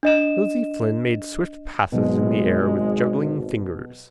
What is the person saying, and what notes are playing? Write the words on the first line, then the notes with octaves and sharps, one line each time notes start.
Nosey Flynn made swift passes in the air with juggling fingers.
D4 D#5 E7
G#1 B2 F#3 G#3